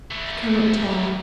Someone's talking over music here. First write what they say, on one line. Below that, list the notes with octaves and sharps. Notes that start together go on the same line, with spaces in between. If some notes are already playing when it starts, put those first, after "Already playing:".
I cannot tell.
E3 A3